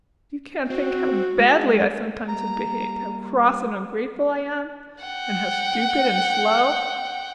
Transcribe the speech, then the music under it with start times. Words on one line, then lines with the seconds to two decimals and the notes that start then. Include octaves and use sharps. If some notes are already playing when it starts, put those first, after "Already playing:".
You can't think how badly I sometimes have behaved--how cross and ungrateful I am, and how stupid and slow.
0.70 C4 F#4
1.39 G#3
2.28 G3 A#3 A#5
5.04 F#5 G5